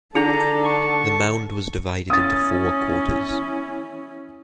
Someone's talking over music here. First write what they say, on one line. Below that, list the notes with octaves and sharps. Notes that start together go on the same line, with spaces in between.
The mound was divided into four quarters.
D3 D4 D#4 G#4 A4 A5 A#5
C#6
C#4 E4 D#6 A6